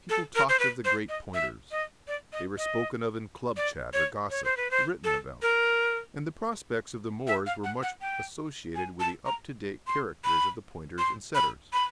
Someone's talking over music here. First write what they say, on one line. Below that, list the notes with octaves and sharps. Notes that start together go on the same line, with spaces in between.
People talked of the great Pointers. They were spoken of in club chat or gossip; written about; and the prospects of the moors were much associated with the up-to-date characters of the Pointers and Setters.
A4
A#4
C5
B4
C5
D#5
E5
D#5
D5
D#5
D#5
D5
C#5
C#5
C5
B4
C5
A4
A#4
E5
F5
F#5
F#5
G5
G#5
A5
A#5
C6
B5
C6
B5
B5